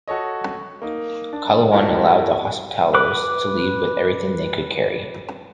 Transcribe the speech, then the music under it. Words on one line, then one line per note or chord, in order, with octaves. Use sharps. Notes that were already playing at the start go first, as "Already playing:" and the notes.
Qalawun allowed the Hospitallers to leave with everything they could carry.
F#4 A4 C#5 D#5
A#3 D#4
D4
E4 F#4 G4 A4 A#4 C#5
B4 D6